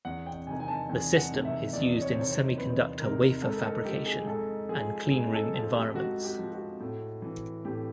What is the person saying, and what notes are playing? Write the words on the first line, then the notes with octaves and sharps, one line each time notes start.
The system is used in semiconductor wafer fabrication and cleanroom environments.
E2 F#5
G5
C3 D#3 G#5
G#5
A5
E2 G#5
F#5
C3 D#3
E5
E2 D5
C#5
C5
C3 D#3 C#5
C5
E2 B4
C3 D#3 A#4
G#2 A4
A#4
A4
F3 G4
G#4
G#2 A4
F3 G#4
G#2 G#4
A4
F3 A4
G4
G#2 F#4
G4
F3
F#4
A2
E3
A2 G4